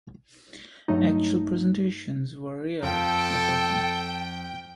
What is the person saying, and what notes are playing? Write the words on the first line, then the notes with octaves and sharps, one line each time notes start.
Actual presentations were rare but welcome.
G2 F#3 A3 D#4
F2 F3 A4 G5